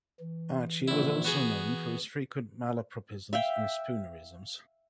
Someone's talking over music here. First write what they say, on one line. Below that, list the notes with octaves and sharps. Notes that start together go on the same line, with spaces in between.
Archie was also known for his frequent malapropisms and spoonerisms.
E3
A#1 E4
B3 F#4 G#4
E5 F5 G5